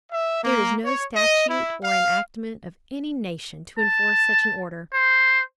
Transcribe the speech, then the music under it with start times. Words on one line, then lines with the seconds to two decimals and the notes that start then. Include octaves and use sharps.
There is no statute or enactment of any nation to enforce such an order.
0.11 E5
0.43 A#3
0.85 C#5
1.15 D#5
1.48 E4
1.83 F5
3.79 A5
4.94 C5